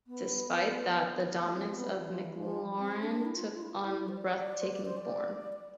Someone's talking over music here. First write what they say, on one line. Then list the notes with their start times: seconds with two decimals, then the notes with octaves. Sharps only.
Despite that, the dominance of McLaren took on breath-taking form.
0.07 B3
1.44 A3
1.54 C4
1.67 C4
1.77 B3
1.89 G3
1.97 F3
2.04 E3
2.10 F3
2.24 E3
2.35 F3
2.79 C4
3.03 D4
3.25 E4
3.35 F4
3.44 E4
3.53 F4
3.62 E4
3.70 F4
3.80 E4
4.08 C5
4.17 D5
4.40 D5
4.61 C5
4.73 D5
4.85 C5
4.97 D5
5.53 D5